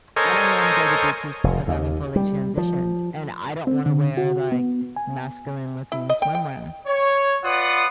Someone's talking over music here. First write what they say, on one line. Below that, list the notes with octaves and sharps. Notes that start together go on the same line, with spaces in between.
I don't wanna go to beaches because I haven't fully transitioned, and I don't wanna wear, like, masculine-looking swimwear.
A4 A#4 C5 C#5 D#5 G#5
F1
D#2
G3
F3
C4
D3
F#4
B3
G#5
E4
D#5
G5
G5
C#5
F4 B4 D5 F#5 D#6